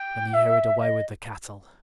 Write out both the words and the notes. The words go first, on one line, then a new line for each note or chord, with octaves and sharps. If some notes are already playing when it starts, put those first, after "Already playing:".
Then he hurried away with the cattle.
Already playing: G5
E5
E5
D#5